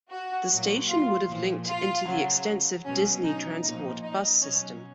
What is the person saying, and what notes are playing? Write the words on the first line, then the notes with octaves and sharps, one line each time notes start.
The station would have linked into the extensive Disney Transport bus system.
F#4
A#2 F#3
F4
A#2 F3
F4
C#3 F#3
B2 F#3 C#4
D#4
A#2 D#4
F3
D#4
B2 F#3 C#4